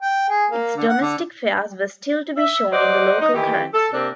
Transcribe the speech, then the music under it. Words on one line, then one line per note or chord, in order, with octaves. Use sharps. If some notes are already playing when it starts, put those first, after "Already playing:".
Its domestic fares were still to be shown in the local currency.
G5
G#4
A#3
D3
F#5
D3
E5
F#3 G4 C5 D5 D#5 F#5
D#4
D#3 E3 E4 G4
A4
C3 A#3 C4 D4